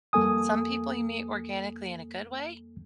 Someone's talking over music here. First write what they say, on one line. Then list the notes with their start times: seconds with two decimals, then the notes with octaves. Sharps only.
some people you meet organically in a good way,
0.13 F2 G3 A#3 A4 G#5 D#6